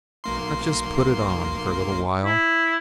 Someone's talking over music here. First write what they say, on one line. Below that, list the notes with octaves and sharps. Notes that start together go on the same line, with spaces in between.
I've just put it on for a little while.
B1 A#3 C6
E4